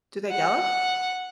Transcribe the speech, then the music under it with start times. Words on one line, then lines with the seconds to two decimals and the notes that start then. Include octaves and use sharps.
Do they gallop?
0.31 F#5